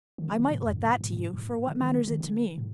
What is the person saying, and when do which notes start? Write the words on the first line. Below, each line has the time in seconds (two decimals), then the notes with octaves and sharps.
I might let that to you, for what matters it to me?
0.18 D#3
0.29 D3
0.40 D3
0.51 A2
0.62 F2
0.73 G2
0.85 A2
1.01 A2
1.13 A2
1.17 G2
1.34 A2
1.67 D3
1.80 D#3
1.94 D3
2.08 D#3
2.21 D3
2.58 A2